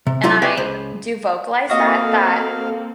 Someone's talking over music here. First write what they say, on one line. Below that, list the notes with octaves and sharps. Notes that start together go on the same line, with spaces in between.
and I do vocalize that, that,
C3
F#3 E4 F4 G4 A4 E5
G4 B4 C#5 D5 E5 G5
C#2 C5
A#3 C4 F#4 A4 D#5 F5